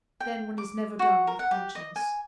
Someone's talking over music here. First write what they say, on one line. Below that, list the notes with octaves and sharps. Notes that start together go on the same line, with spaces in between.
Then, one is never done with conscience.
G5
D6
F#4
A#4
F#5
G4
D#5
G#5